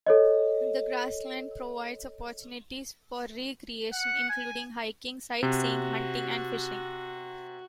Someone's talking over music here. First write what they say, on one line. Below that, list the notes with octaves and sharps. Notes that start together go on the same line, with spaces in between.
The Grassland provides opportunities for recreation, including hiking, sightseeing, hunting, and fishing.
A4 C#5 D#5
F#5
G#5
C3 F#4